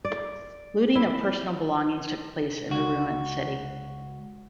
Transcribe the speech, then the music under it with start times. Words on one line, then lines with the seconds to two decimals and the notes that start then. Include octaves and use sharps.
Looting of personal belongings took place in the ruined city.
0.05 D5
0.95 E4
2.69 C#2 F#4